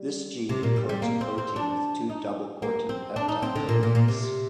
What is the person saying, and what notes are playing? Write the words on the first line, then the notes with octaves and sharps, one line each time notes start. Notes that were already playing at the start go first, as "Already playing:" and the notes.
This gene encodes a protein with two doublecortin peptide domains.
Already playing: G3
C3
A#2
G3
G3
A#3
C4
C4
D4
D#4
A#3
C4
D4
D#4
C4
D3
A#2
A#2
A#2
C3